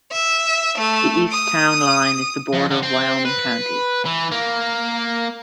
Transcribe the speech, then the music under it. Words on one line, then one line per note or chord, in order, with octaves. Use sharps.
The east town line is the border of Wyoming County.
E5
A3
D#6
F2
D3
C4
B4
E3
A#3